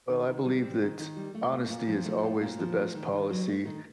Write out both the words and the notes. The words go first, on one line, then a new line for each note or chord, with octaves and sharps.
Well, I believe that honesty is always the best policy,
D#3
D#3
G3
C4
D#3
D#3
G3
A3
A#2
A#2
F3
A3
A#2
A#2
F3
A3
D#3
D#3
F#3
A3
D#3